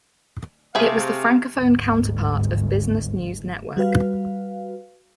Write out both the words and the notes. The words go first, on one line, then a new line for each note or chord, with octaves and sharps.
It was the francophone counterpart of Business News Network.
C3 A3 G#4 E5 F5
G1 D2 G#2
G3 F#4 B4 F5